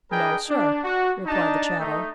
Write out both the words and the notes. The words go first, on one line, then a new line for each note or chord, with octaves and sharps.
"No, sir," replied the chattel.
D4 G#4 A#4 B4 D#5 G5
D4
F#4
D4 D#4 A5
A3 D#4